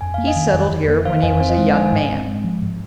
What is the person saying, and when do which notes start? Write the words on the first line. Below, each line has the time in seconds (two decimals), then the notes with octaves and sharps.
He settled here when he was a young man.
0.01 F2 G#5
0.14 A#3 F5
0.27 D#5 G#5
0.36 D#3
0.53 F2
0.71 F2
0.88 A#3
1.05 D#3 C5 F5
1.22 F2 D#5 G#5
1.40 C4 C5 F5
1.50 D#5
1.57 G#3 C5 F5
1.74 F3 D#5 G#5
1.92 G#2
2.10 C4
2.27 G#3
2.44 F3
2.62 G#2